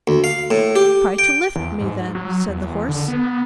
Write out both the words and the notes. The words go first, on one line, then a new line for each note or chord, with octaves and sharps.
'Try to lift me, then', said the Horse.
D2
F5
A2
G4
G5
E2
G#2
F#3
E2
D3
B3